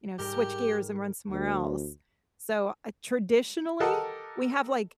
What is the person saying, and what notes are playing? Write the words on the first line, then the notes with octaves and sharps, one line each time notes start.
you know, switch gears and run somewhere else. So, uh, traditionally, we have, like,
G#2 G3 G4 A#4
D2
G4 A4 A#4 D#5 F#5 A5